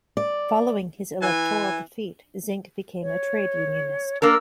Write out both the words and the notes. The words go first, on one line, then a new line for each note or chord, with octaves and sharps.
Following his electoral defeat, Zinck became a trade unionist.
D5
E3 E4 G#5
C#5
A#3 D4 A#4 E6